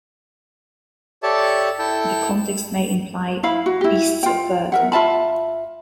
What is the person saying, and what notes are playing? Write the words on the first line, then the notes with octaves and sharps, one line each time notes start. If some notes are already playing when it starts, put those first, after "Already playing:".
The context may imply beasts of burden.
G4 A4 C#5 D5 E5 A5
E4 A4 G5 A5
E4 F5 B5
F#4
E4 G4
F4 G5
A#4 E5 F#5
F4 E5 A5 B5